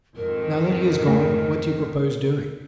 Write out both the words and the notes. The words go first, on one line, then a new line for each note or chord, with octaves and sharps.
"Now that he has gone, what do you propose doing?"
F2 G#2 D#3 A#4
A3